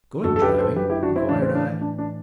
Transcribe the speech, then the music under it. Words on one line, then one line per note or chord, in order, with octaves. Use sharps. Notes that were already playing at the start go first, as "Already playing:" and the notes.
"Going driving?" inquired I.
F#2 D3 F#4 A4
A4
G4 B4
B4
A4 C5
G4 B4
E4 G4
D4 F#4
C4 E4
A2 E3 D4
C4
D4
D4
D4